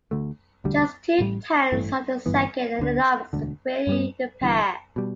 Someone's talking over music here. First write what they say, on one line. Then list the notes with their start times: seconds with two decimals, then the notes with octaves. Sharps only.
Just two tenths of a second ended up separating the pair.
0.11 D2 D3 A3
0.64 E1 D2 D3 G3
1.19 A1 A2 G3
1.72 A1 G2 E3 A3
2.26 G1 G2 E3 B3
2.79 D2 D3 B3
3.33 E1 D2 D3
3.87 G2 G3 B3
4.41 G1 G2 E3
4.96 B2 G3